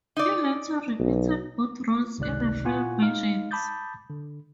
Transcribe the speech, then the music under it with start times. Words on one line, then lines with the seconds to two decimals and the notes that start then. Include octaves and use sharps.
He later repeated both roles in the film versions.
0.17 D#4 D5
0.99 B1
2.18 G#1 C#2 C3 D#4 D5 F#6
2.64 A#2 E4 F4 F#5 G#5 C#6
3.02 G#3 D#4 F5 F6
3.51 A5 B5 D6 D#6 G6 A6
4.10 D3